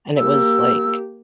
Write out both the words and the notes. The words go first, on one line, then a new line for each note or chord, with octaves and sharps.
and it was like,
A#3 G4 E6